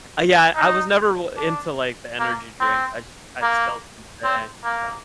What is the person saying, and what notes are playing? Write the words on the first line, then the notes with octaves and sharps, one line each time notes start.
Ah, yeah. I was never r into like the energy drinks. I just I still to this day, so
D#4
D4
A#3
C4
A#3
C4
A#3